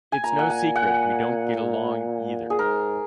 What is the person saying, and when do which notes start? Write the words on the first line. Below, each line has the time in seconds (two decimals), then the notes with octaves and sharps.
It's no secret we don't get along either.
0.12 G#5
0.24 A#2 A#5
0.39 F#5
0.50 G#5
0.76 F#5
2.50 G#4
2.59 G#2 A#4